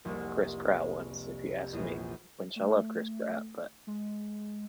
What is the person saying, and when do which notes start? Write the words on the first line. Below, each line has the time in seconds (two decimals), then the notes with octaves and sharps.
Chris Pratt ones, if you ask me, which I love Chris Pratt, but
0.05 F1 C2 A#3 F#4
1.73 A#1 E2
2.56 A3
3.87 G#3